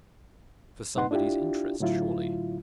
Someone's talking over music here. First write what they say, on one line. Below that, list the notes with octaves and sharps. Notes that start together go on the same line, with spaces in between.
For somebody's interest, surely.
G2 A#2 D#4 B4 F#5 C6
D4 E4 F4 G4
A2 D3 F#3 E4 F4